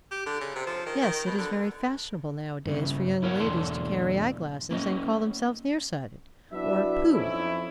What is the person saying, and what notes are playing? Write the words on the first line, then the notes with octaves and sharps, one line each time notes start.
Yes, it is very fashionable now-a-days for young ladies to carry eye-glasses, and call themselves near-sighted!" Or, "Pooh!
G4
D3
C#3
C3
F3
D#3
D#3
B2
D3
G2 C#3
E4 A#4 C#5 F#5
B1 E2 D4 A4 C6
A#3 C#4 D#5
F#3 B3 D4 E4 E5
F2 C#4 D#4 E4